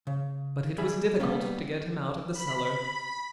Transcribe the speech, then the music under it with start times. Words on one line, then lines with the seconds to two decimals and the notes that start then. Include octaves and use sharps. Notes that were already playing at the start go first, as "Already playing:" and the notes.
But it was difficult to get him out of the cellar.
0.07 C#3
0.78 G3 G#4 E5 B5
1.19 G3 A#3 B3 C#4
2.33 B5